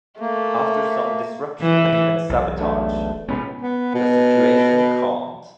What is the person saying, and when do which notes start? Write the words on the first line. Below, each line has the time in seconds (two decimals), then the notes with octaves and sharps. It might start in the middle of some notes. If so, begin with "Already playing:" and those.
After some disruption and even sabotage, the situation calmed.
0.20 A3 A#3
1.62 E3
2.29 E1 B1
2.59 A3 D4
3.28 B2 G#3 B3 C#4 B4
3.62 B3
3.94 B2